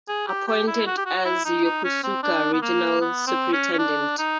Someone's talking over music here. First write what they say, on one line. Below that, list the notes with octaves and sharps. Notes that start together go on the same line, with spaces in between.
Appointed as Yokosuka Regional Superintendent.
G#4
G4
G4
E4
F#4
G4
F#4
E4
D#4
D#4
C#4
C4
D4
B3
A#3
B3
C4
C#4
C#4
D4
D#4